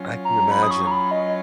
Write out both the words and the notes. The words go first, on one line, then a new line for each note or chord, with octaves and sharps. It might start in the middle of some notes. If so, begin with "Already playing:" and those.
I can imagine.
Already playing: F#3 C#4 F4
A#5
B5
D#6
C#6
A#5
B5
D#5